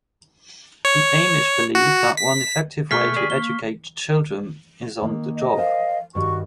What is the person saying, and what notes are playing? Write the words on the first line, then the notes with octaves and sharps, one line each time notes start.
The Amish believe that one effective way to educate children is on the job.
C#5
F#4
B6
B2 A3 G#4 C#6 F6 B6
G4 G#4 D5
A#3 G7
D#3 A#3
D#5
A#4 C5 F5 A5
G2 D#3 F#4 C#6